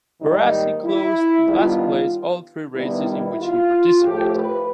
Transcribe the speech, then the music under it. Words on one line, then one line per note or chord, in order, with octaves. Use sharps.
Barassi closed in last place all three races in which he participated.
G#2 D#3 G3 A#3 D#4
E4
G2 D#3 G3 B3 F4
G2 D#3 G3 B3 E4
E4
F4
A2 F3 A3 G4
B4